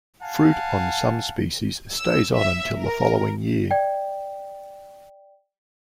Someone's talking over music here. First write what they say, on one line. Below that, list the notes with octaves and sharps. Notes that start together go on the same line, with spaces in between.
Fruit on some species stays on until the following year.
F5 F#5 G#5 A5
E6
E5
A#4
D5 G5